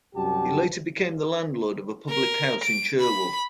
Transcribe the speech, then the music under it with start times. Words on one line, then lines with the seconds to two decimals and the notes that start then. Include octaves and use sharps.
He later became the landlord of a public house in Churwell.
0.15 C2 F#2 G3 F#4 G4 A5
2.09 A#4
2.63 D7
3.00 B5